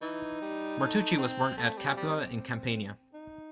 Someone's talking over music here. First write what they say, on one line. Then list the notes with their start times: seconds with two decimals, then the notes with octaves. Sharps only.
Martucci was born at Capua, in Campania.
0.02 E3 D#4
0.42 G3
0.79 A3
1.18 C4
1.58 A3 C4
1.78 G3
1.97 G3
3.14 D#4